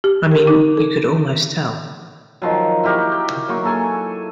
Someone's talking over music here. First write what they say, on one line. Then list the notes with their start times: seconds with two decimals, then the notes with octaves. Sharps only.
I mean, you could almost tell.
0.04 G4
0.32 A#4
0.47 D#4
0.77 A4
2.42 D#3 F3 F#3
2.83 E4 F#4 G4 A#4
3.12 G5
3.48 F#3 A#3 C#6
3.65 A4 G#5 C#6